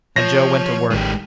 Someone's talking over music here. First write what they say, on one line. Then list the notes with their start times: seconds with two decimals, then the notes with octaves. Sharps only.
And Joe went to work.
0.16 F3 C#5 A#6
0.91 A1 D#3 G#3 G4